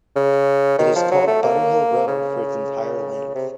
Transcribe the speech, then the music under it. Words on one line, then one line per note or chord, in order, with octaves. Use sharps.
It is called Butterhill Road for its entire length.
C#3
D#3
F3
F#3
A3
A#3
C#3
C3